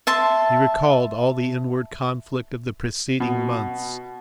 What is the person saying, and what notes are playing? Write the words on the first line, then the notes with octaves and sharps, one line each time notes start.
He recalled all the inward conflict of the preceding months.
E5 A5 C6
B2